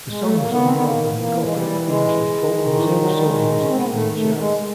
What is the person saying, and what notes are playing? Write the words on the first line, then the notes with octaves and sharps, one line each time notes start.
The songs on the album incorporate themes of folk music, soul music, and jazz.
G#3
A3
A#3
D#3 B3
C4
B3
A#3
E3 A#3
G#3
G3
G#3
D#3
E3
F3
F#3
G3
G#3
C#4
C4
B3
A#3
D#3 A3
A3
G#3